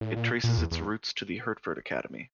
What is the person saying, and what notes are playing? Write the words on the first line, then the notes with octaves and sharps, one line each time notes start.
It traces its roots to the Hertford Academy.
A2
A#2
A#2
E2
E2